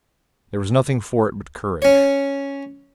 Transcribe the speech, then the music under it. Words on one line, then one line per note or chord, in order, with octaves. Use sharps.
There was nothing for it but courage.
C#4 C#5